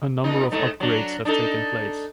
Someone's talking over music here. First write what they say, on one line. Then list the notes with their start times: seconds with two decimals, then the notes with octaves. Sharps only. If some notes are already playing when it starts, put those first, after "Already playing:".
A number of upgrades have taken place.
0.24 A#2 D#4
0.52 G#2 A3 D#4
0.80 F#3 D4
1.25 D4 D#4 A4